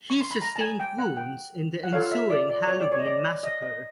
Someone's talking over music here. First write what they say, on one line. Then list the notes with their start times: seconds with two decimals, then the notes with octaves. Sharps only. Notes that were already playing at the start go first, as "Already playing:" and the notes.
He sustained wounds in the ensuing Halloween Massacre.
0.10 C#6
0.21 C6
0.31 B5
0.42 A#5
0.56 A5
0.60 G#5
0.80 G5
0.98 F#5
1.17 G5
1.83 F#5
1.92 F4 A4 C#5 F5
2.11 E5
2.30 D5
2.49 D5
2.68 C#5
2.80 D5
2.92 C#5
2.99 D#5
3.06 D5
3.43 D#5
3.62 D#5